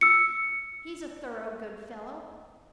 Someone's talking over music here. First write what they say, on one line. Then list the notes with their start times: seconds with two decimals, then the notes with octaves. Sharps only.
He's a thorough good fellow.
0.01 E6 C#7